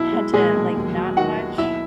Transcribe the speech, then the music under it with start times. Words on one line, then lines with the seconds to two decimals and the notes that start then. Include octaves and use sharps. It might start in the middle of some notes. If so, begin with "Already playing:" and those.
Had to, like, not watch
Already playing: B1 E4
0.12 G#3
0.33 A#2 G#3 G#4
0.54 B1
0.76 D#2
0.96 F#3
1.17 D#3 F#4 F#5
1.38 D#2
1.58 B1 E4 E5